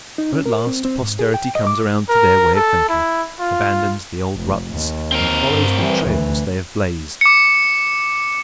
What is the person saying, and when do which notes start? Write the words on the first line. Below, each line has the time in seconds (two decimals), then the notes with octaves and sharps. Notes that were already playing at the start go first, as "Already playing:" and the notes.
But at last posterity comes around to their way of thinking, abandons the old ruts and follows the trails they have blazed.
0.18 D#4
0.33 C#4
0.46 A#4
0.67 C4
0.85 C4
1.01 G#2
1.19 G#4
1.34 G5
1.55 D#5
1.67 D6
2.09 A#4
2.55 A4
2.89 E4
3.40 F4
4.34 F1
4.70 D#2
5.12 C4 A#4
5.47 G2
5.77 E3 G3
6.05 D2 E3
7.21 D6 C#7